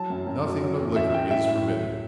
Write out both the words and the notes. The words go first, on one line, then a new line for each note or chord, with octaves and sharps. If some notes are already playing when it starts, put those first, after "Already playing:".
Nothing but liquor is forbidden.
Already playing: F#3 A5
F#2
F#2
F#2
F#3
E2
F#2 E5
F#2 G5
A2 E5
A2
F#3